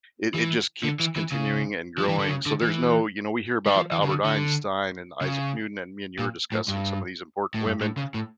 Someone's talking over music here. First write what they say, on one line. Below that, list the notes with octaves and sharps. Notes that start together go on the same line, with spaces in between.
it it just keeps continuing and growing, so, there's no you know, we hear about Albert Einstein and Isaac Newton, and me and you were discussing some of these important women,
E3
D3
E3
E3
C#3
F3
E3
D3
C#3
D3
E3
G3
F3
E3
C#3
D3
D3
C#3
A#2
A2
G2
A2
G2
A2
C#3
A2